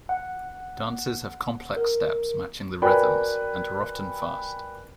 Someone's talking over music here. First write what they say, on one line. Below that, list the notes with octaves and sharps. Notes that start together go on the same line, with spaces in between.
Dances have complex steps matching the rhythms, and are often fast.
F#5
A#4
F#4 A#4 B4 D5 G5 G#5